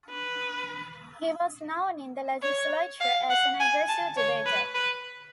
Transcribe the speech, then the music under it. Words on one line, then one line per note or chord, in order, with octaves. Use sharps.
He was known in the legislature as an aggressive debater.
B4
C#5
F5
F#5
G#5
A5
C#5
B4
B4